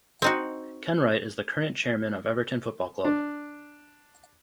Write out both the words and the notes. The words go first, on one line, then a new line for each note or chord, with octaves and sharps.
Kenwright is the current chairman of Everton Football Club.
C4 D#4 F#4
D4